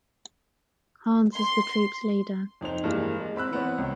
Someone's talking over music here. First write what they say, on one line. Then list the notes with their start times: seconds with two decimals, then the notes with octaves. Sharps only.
Hans is the troupe's leader.
1.34 C6
2.61 F2 D#4 C5 F7
2.84 G2 E3 G3 G#3 A#3
3.20 G#3
3.36 C4 B5 E6 F#6
3.51 E3 B3 C4 C#5
3.78 C#2